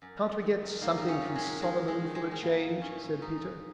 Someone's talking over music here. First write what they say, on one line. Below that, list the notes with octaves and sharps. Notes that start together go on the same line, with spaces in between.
"Can't we get something from Solomon for a change?" said Peter.
F#2
F#2
D#3
F#2
D#3 A#3
D#3 D#4
C#4
F#2
G#3
F#2
D#3 G#3
D#3
G#3
D#3
G#3
D#3
G#3
G#2 A#3
G#2
D#3 C#4
G#2
G#2 D#4
G#2